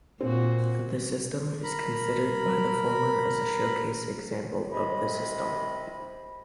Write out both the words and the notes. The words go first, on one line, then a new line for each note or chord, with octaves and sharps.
The system is considered by the former as a showcase example of the system.
A#2 C4 F#4
A#4 B5
C2 C3 D#5 B5